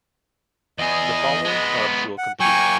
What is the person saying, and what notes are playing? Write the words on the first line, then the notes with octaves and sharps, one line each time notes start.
The following clubs will compete.
E2 G#4 D#5
G#3 B3
F#5
F#3 A#3 G5 G#5 C#6